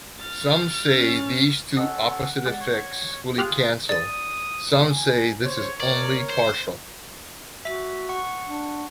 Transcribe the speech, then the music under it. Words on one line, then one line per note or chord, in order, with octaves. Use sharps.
Some say these two opposite effects fully cancel, some say this is only partial.
F6 A6
C#4
C#4 A4 D#5 F#5
G#3 D5
C#5 C#6
F4 G4 G#4 F6 F#6
D5 D#6 A6
G#5
C5 C#5
A#4 D5
C5
F#4 E5
F#5 C#6
D4